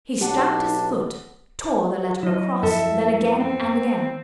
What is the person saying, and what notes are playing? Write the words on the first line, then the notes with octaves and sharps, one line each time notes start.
He stamped his foot, tore the letter across, then again and again.
B1 D4 G4 F#5
F#3 E4 D#5
F#2 F3 A4 E5
B3 C4